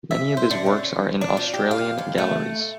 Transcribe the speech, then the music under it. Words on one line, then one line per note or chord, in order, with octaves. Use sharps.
Many of his works are in Australian galleries.
E5
C5
D3
C#4
D4
F3
G4
F5
D#2
A3